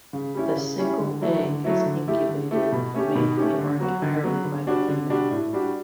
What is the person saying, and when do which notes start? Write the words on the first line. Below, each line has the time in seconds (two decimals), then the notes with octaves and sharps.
The single egg is incubated mainly or entirely by the female.
0.13 C#3
0.35 G3 C#4 E4
0.56 C#3
0.78 G3 C#4 E4
1.00 D3
1.21 F#3 A3 E4
1.43 D3
1.64 F#3 A3 E4
1.86 D3
2.08 A3 E4 G4
2.29 D3
2.51 A3 E4 G4
2.72 B2
2.94 A3 C#4 G4
3.15 B2
3.37 A3 C#4 G4
3.58 D3
3.80 F#3 B3 F#4
4.02 D3
4.23 F#3 B3 F#4
4.45 D3
4.67 G3 D4 F#4
4.88 D3
5.10 G3 D4 F#4
5.31 A2
5.53 G3 D4 F#4